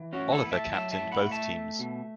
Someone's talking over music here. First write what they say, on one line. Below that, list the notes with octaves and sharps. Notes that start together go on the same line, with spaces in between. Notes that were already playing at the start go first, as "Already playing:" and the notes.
Oliver captained both teams.
Already playing: E3
C#4 F#4
A2
E4 A4
B3
E5 A5
F#3 E5 A5
E5 A5
A2
F#5 B5
A3
E5 A5
A3
B2